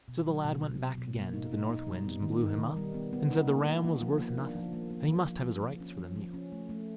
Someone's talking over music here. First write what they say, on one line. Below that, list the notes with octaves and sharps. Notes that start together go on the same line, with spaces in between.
So the lad went back again to the North Wind, and blew him up, and said the ram was worth nothing, and he must have his rights for the meal.
B2
F#3
B2
B2
B2
B2
A#3
D#4
D#4
D#4
G3
B3
D#3
D#4
D#3
G3
B3
B3
D#4
A#3
A#3
A#3
F3
A#3
D4
F3
A#3
A#3
F3
F3
F3
F3
C#4
F3
F3
C#4
A3
A3